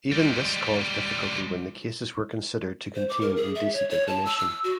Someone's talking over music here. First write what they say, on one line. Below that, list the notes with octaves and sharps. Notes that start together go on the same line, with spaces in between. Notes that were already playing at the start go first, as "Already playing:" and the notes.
Even this caused difficulty when the cases were considered to contain indecent information.
G3 G#3
C5
D6
A#4
G#4
E5
C#5
C#5
A5
E6
E6
F#4